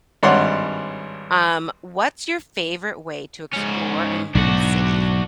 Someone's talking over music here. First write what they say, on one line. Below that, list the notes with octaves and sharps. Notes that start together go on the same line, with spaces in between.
Um, what's your favorite way to explore a new city?
G#1 G2 C#5 D5 F#5 C6
G#2 C#4
B1 G#2 D4 F#4